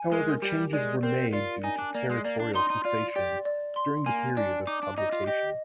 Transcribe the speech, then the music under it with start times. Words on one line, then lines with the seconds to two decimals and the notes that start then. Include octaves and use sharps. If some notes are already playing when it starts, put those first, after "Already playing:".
However, changes were made due to territorial cessations during the period of publication.
Already playing: G#5
0.12 G#3 A#4
0.42 G3 G4
0.73 G#3 D5
1.03 C4 A#4
1.33 F4 D5
1.64 D#4 G#5
1.79 D4
1.94 A#3 D5
2.09 G#3
2.24 A#3 D5
2.40 D4
2.54 D#4 C6
2.70 D#4
2.85 F4 D5
3.16 G4 D5
3.45 D5
3.76 C6
4.06 A#3 G#5
4.37 D4 D5
4.67 D#4 D6
4.83 D4
4.98 D#4 D#5
5.12 F4
5.27 G4 D#5